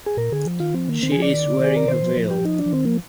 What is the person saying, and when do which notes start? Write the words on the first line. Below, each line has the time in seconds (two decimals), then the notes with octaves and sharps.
She is wearing her veil.
0.06 G#4
0.17 A#2 A#4
0.32 D3 G#4
0.46 F3
0.60 D#3 F4
0.74 F3 C4
0.88 D#3 A#3
1.02 D#3 C4
1.12 G#4
1.17 F3
1.22 D5
1.30 D#3
1.46 D3
1.60 D#3 G#4
1.76 A#4
1.88 D#3 C5
2.03 F3
2.16 F3
2.30 G4
2.45 D#4
2.59 D4
2.66 F3
2.72 D#3 C4
2.85 F3 A#3